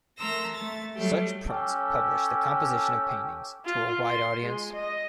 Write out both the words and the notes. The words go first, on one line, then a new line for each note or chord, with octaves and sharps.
Such prints published the composition of paintings to a wide audience.
A3 A#4 A#5 C6 E6 A#6
A3 A6
F#3 G3 A3 G4
C#4 G4 A4
F4
C6
G#3
D#5